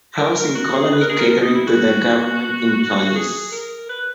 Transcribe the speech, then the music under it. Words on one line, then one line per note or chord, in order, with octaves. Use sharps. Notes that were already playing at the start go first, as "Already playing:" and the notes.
Housing Colony catering to the government employees.
A#4
A#4
F#4
G#4
B4
A#4
G#4
A#4
A#4
D#4
E4
F#4
G#4
A#4
B4